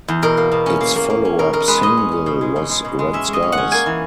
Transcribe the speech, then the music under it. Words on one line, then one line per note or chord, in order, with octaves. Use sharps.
Its follow-up single was Red Skies.
E2
B2 A#4
A#3
B2
C#4
A#3
A#3
A#3
C#4
B2 A#4
B2 A#4
G#3 B4
C#4 D#5
C#4
C#4
B2
G#3
B2
G#3
B2
G#3
C#4 E5
G#3
D#5
C#4
F#5
C#4
A#3 G#5
E3